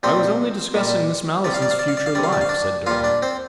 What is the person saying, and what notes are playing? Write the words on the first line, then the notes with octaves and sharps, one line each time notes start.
"I was only discussing Miss Malleson's future life," said Durham.
A#2 G3 C4 C5
A#2 G3
C3 G3 D5
F5
D5
F5
D5
F5
D5
F5
C3 G3 D5
F5
D5
F5
D4 D5
A#2 G3 F4 F5
D4 D5
C4 C5